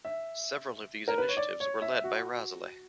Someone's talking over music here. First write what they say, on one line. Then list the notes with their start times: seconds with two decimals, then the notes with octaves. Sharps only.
Several of these initiatives were led by Razaleigh.
0.05 E5
1.08 A#4
1.18 B4
1.28 C#5
1.37 D5
1.60 C#5
1.82 E5
2.04 F#4